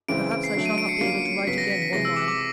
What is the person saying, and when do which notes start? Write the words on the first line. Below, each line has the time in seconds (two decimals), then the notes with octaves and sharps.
Perhaps I shall not be able to write again one while.
0.08 C#3 E3 G#3 C4 D7
0.32 D7
0.44 C7
0.54 D3 F#3 A3 C7
0.65 D#7
0.78 D7
0.89 C#7
1.00 D3 F#3 A#3 C#4 F4 C7
1.47 C#3 F#3 B3 B6
1.58 A#6
1.70 B6
1.82 B6
1.93 C3 E3 G#3 A#6
2.05 E6
2.16 D6
2.28 D6